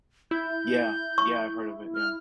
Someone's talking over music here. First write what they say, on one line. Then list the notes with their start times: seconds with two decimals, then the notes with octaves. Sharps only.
Yeah, yeah, I've heard of it, yeah.
0.31 E4 G6
1.18 C#6
1.95 F6